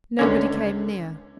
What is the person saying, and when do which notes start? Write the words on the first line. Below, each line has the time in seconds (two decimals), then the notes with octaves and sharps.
Nobody came near.
0.19 C#2 D3 C#4